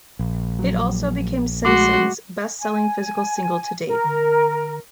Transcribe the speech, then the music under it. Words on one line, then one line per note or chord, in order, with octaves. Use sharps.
It also became Simpson's best-selling physical single to date.
A#1
F#3
G#3 A3 F#4 C6 D6
G#5
A#4